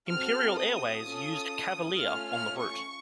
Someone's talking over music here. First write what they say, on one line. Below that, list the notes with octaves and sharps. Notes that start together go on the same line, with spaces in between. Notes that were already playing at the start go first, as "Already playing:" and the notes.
Imperial Airways used "Cavalier" on the route.
C4 F#4 A4 F6
D#6
C#4 F4 A4
A3 C#4 F4 F6
F6
C#6